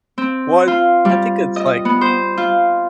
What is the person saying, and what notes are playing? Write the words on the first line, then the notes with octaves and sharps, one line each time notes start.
Well it's I think it's, like
C4
F4
G3
D#5
B3
C5
F4